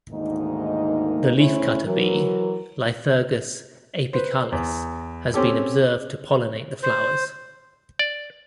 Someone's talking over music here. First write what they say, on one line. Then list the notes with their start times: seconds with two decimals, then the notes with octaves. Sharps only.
The leafcutter bee "Lithurgus apicalis" has been observed to pollinate the flowers.
0.10 D2 G#2 D#3 A#3 D#4 D#5
1.35 E2 A3 C#4 E4 C5 C#5
1.84 E3 F#3 A#4
4.13 B4 C5
4.52 E2
5.34 C4 C#4 G4 A4
6.83 C5
7.99 D5